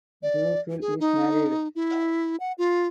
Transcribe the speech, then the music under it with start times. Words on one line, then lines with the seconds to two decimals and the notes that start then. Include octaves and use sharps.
Duffield is married.
0.23 D5
0.81 G#4
1.00 D#4
1.75 E4
2.40 F#5
2.58 F4